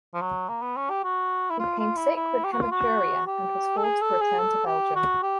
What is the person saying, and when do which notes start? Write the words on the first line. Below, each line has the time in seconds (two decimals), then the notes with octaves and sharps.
He became sick with hematuria and was forced to return to Belgium.
0.14 F3
0.21 F#3
0.49 A#3
0.62 B3
0.77 C#4
0.90 G4
1.04 F#4
1.50 E4
1.59 F4
1.79 F4
1.97 E4
2.16 E4
2.44 G4
2.52 F#4
2.62 F4
2.71 F#4
3.27 G4
3.77 A4
3.84 G#4
4.02 A4
4.21 G#4
4.39 A4
4.66 G4
4.95 F#4
5.23 G4